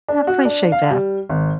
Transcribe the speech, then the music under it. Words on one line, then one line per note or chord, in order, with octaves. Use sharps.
I appreciate that.
D4
F#4
D4
F5
G3
G#1